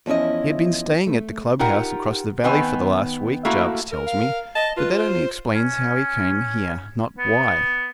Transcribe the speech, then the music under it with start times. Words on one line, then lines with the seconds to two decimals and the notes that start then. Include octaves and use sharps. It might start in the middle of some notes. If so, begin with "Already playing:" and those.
He had been staying at the club-house across the valley for the last week, Jarvis tells me, but that only explains how he came here, not why.
0.06 E2 F3 C#4 E4 D#5
1.06 A3
1.59 D#4 F4 G4 A#4 F#5
2.44 D#3 B3 C4 G#5
3.45 A3 A#3 E4 F#4
3.92 A#4
4.06 F5
4.55 D#5 A5
4.77 F4 B4
4.94 C5
5.54 C#4
7.19 B3